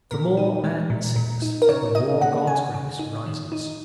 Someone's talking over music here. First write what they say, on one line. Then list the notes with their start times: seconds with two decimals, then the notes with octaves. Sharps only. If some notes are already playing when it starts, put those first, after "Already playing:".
The more man sinks, the more God's grace rises.
0.11 A#2 A#4
0.37 D#4
0.64 G#3
0.90 A#2
1.16 A#2
1.42 D#4
1.62 A#4
1.69 C#3 C#5
1.95 D#4 D#5
2.21 A#3 F#5
2.47 C#3 G#5
2.74 C#3
2.99 D#4
3.26 D#3
3.52 D#4